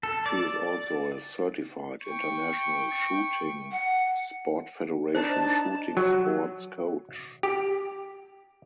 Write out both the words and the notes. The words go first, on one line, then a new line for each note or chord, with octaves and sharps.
She is also a certified International Shooting Sport Federation shooting sports coach.
A4
D5
G5 C#6
F#5
D4 D#4 C5 A5
F#3
G4